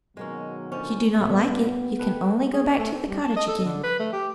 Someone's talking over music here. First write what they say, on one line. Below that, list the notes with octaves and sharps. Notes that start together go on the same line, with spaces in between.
If you do not like it, you can only go back to the cottage again.
B2 D#3 F#3 G#3 A#3 C#4
D3 F3 C#4
A2 C#3 A3 B3
G2 G3
G4 A4 B4
G#4
D4
A3
C4
G3
A5
D#5
A4
D3
B4
A3
G4